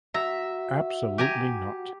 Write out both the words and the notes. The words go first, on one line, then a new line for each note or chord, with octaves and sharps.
Absolutely not.
F#4 E5 A#5
G4 G#5 A#5